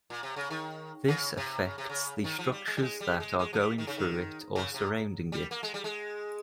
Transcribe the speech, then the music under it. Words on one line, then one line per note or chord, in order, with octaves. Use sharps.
This affects the structures that are going through it or surround it.
A#2
C3
C#3
D#3
C#3
C3
C#3
C3
C#3
D#3
F3
G3
G#3
G3
G#3
G3
G#3
G#3
F3
G3
D#3
C#3
D#3
C#3
C3
G3
A#3
G#3
G3
G#3